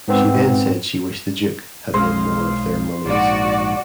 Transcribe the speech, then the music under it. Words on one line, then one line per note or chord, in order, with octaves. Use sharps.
She then said she wished the Duke "had won more of their moneys".
G#2 B3 C4
B1 G#3 C5 F5
A#1 G#2 F#4 D5